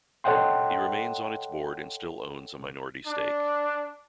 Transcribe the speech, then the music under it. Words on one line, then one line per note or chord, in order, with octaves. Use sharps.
He remains on its board and still owns a minority stake.
A4 C#5 D#5 F#5 G5 C6
D4